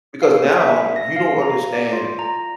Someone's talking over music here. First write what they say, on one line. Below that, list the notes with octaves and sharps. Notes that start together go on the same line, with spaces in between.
Because now you don't understand
F5
A#3
E5
A#6
F5
A#5
D5
F4
A#5